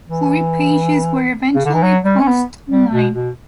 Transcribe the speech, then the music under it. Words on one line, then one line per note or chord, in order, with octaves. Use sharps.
Forty pages were eventually posted online.
E3
C#3
D3
E3
F#3
G3
C#4
B3
G3
B2
B2